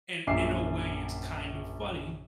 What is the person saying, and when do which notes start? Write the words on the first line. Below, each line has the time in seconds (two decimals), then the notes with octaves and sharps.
and in a way, it's kind of funny.
0.27 A#1 F#2 E5 D6 C7